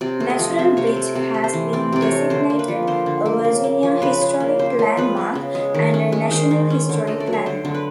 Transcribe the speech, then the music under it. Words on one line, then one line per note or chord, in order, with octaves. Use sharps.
Natural Bridge has been designated a Virginia Historic Landmark and a National Historic Landmark.
C3 D5
A3
D#5
F3
C4 E5
C3 C#5
D5
A3
C3 D5
A3
C5
E3
C4 D5
C3 D5
C#5
A3
D3 C5
A#3
B4
F3
D3 C5
D3
A#3
C#3
A#3
F3
C#3 B4
C#3
A#3
C#3 C5
G#3 C5
F3 B4
B3
C#3
G#3
D#3
C#4
G#3
D#3 C5
D#3
C#4
D3
A3 D#5
D5
F#3
C#5
D3 C5
D3
B4